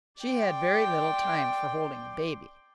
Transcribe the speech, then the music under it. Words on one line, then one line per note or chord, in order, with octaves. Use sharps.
She had very little time for holding a baby.
D5 G5 C6